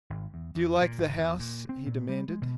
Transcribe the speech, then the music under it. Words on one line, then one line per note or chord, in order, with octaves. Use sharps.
"Do you like the house?" he demanded.
G#1
E2
E2
A#2
G#1
E2
A#2
C4
A#2
G3
G#3
B2